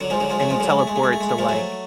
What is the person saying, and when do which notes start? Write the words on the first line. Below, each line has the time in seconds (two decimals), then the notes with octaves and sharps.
and you teleport to, like
0.01 D3 F#3
0.10 F3 G#3
0.20 D3 F#3
0.30 F3 G#3
0.40 F#3 A3
0.50 F3 G#3
0.60 D3 F#3
0.69 G#3
0.79 A3
0.87 G#3
0.96 A3
1.03 G#3
1.13 A3
1.21 G#3
1.29 A3
1.38 F3 G#3
1.49 F#3 A3